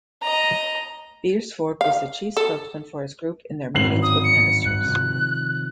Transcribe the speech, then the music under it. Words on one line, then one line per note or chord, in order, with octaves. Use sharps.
Beresford was the chief spokesman for his group in their meetings with Ministers.
D#5 A#5
F5
A4
D1 G#1 G3 C#4 C7 F#7
D#6
C#7
G2 D#3 C4 F#6
C3 D#3 F3